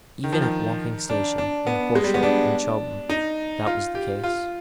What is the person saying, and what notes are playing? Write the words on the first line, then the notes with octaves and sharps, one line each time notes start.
Even at Woking station and Horsell and Chobham that was the case.
D#3
F3
D#3
D4
D4
B3
G#3
G3
B3
D4
D#4
F4
G4
F4